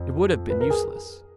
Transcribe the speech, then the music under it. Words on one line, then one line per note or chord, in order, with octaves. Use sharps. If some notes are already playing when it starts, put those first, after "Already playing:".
It would have been useless.
Already playing: F2
B4
A#4
G#4